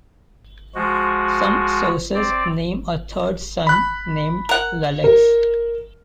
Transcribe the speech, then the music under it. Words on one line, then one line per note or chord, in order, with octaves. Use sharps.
Some sources name a third son, named Lelex.
F3 G#3 F#4
C4 D5
B5 F#6
A#4 F#5
A#4